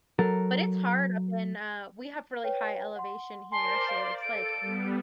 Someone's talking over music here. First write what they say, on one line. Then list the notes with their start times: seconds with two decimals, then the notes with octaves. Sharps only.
but it's hard up in, uh we have really high elevation here, so, it's like a
0.19 F#3 A4 A#4
2.44 B4 C#5 G5
2.96 F#5 C6
3.52 A#4 C5 D5 G#5 A5 C6
3.88 D5 F5
4.22 A4 D7
4.61 G3 B3